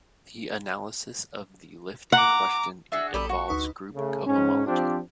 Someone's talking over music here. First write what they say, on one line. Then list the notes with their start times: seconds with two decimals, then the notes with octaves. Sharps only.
The analysis of the lifting question involves group cohomology.
2.12 F#5 A#5 D6
2.92 D4 F#4 G#4 E5 E6
3.14 A#1 G4 A4 D5 B5 D#6
3.29 F#4 F#5 C#6
3.48 D2 D#4 B4
3.95 C#3 A3
4.26 G#2 C#4
4.67 F3 C4 D4 F4 G4